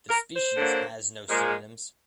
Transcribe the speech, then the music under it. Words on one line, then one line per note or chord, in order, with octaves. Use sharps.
The species has no synonyms.
A#4
C5
D3 F#3 A#3
A#2 F3 G#3